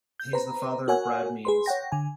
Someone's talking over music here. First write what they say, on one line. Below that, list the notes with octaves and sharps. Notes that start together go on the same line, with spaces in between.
He is the father of Brad Means.
G6
B4 C5 A#5
F#4 A#4 C#5 F#5 G#5
G#4 B4 C6
C#5 F#5 G5 A#6
D3 G#5